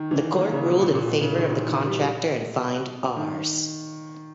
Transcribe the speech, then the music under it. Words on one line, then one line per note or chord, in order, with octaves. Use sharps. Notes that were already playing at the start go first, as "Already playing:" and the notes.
The court ruled in favor of the contractor and fined Rs.
Already playing: D#3
E3
A#3
C#3
B2
A#2
A#2
B2
C#3
D#3
E3
E3
G3
D#3